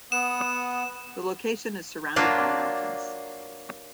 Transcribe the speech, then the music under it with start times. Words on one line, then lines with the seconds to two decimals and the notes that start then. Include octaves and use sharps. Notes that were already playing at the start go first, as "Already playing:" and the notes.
The location is surrounded by mountains.
0.12 B3 F#5 D#6 E7
2.16 F#3 A#3 D4 F4